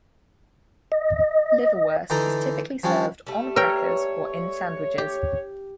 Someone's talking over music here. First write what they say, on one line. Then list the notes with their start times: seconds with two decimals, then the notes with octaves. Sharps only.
Liverwurst is typically served on crackers or in sandwiches.
0.92 D#5
2.10 D3 E3 D#4 D5 D#5 A#5
2.84 F3 G3 C#4 D4
3.27 G3 A3
3.56 A#4 B4 C#5 G5
4.98 G4